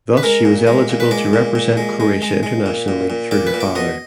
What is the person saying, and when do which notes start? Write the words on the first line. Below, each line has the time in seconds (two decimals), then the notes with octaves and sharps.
Thus she was eligible to represent Croatia internationally through her father.
0.17 B4
0.23 G#3 A#4
0.45 A#2
0.67 G#3
0.89 A#2
1.00 B4
1.11 G#3 D5
1.33 A#2
1.55 A#2
1.77 G#3
2.00 G#3
2.22 G#3
2.43 G#3
2.66 A#2
2.88 A#2
3.10 A#2
3.31 A#2 D5
3.47 B4
3.54 A#2
3.61 D5
3.75 B2 D#5